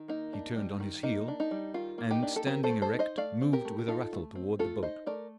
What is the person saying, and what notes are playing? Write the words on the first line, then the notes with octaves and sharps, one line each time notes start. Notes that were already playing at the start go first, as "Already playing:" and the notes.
He turned on his heel, and standing erect moved with a rattle toward the boat.
Already playing: D#3
A#3 D#4
D4
G3
D#3
A#3 D#4
D4
D#4
G3
D#3 F4
A#3
D#4 G4
D4
A4
C4 G4 A#4
A4 C5
A3
A4 C5
D#4
C5 D#5
A3 D5 F5
C4
G4 A#4
A3
A#4
D#4 F4 A4
A3
C4
A3 F4 A4
D#4 C5 D#5
A3 A#4 D5